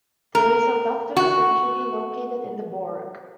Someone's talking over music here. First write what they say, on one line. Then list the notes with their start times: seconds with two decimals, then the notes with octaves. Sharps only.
There is a doctors surgery located in the Borg.
0.35 A#4
1.17 F#4